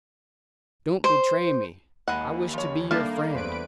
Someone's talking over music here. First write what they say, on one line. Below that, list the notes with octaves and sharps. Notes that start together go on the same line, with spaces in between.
Don't betray me, I wish to be your friend.
C5
D#2 G#3 D#5 F#5 G#5 B5
F3 C#5
G3 A3 A#3 D4 D5 F5 A5
E2 B4 C5 D7